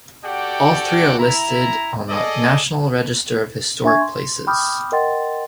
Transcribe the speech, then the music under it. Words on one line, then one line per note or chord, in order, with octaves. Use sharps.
All three are listed on the National Register of Historic Places.
F#4 G4 A4 D5 F#5 G5
E4 A#5
G#4 A4 D5 D#5
D4 E5 G#5 C#6 G#6
C6
G5 B5 D6 D#6 F6 G6
A#4 D#5 F#5 G5 C6 A6